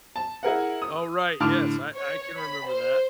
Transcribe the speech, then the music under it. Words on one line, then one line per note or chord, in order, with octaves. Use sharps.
Oh, right, yes, I I can remember that.
A5
E4 G#4 A#4 F#5
D#6
A2 D3 A5 D6 F6
C#5
B5
C5